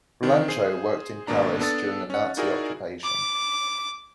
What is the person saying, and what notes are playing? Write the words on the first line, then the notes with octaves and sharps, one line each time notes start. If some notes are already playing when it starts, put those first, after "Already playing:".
Blanchot worked in Paris during the Nazi occupation.
D#3 C4 D4
G#4 C5 C7
G#1 B2 A#3 D4 A#5
B3 D4 A4 D#6 A6
C#4 F#5
D#4 E4 F#4 G#4 A#4 D5
D6